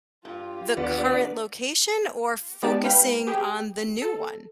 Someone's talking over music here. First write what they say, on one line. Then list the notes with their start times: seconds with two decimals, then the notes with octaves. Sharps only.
the current location or focusing on the new one?
0.25 G2 F4 G4
0.77 D#2 B3 D4 B4 D5
2.63 G#3 B3 D#4 G4 D5 A5
2.84 B4 F5 G5 B5
3.27 G4 G#4 G5
4.02 A4